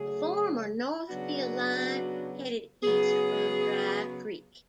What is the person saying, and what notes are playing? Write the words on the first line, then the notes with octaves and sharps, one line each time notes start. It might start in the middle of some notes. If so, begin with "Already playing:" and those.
The former Northfield line headed east from Dry Creek.
Already playing: C#3 F#3 A3 G#4
C#3 F#3 B3 D4 F#4
C#3 F#3 B3 G#4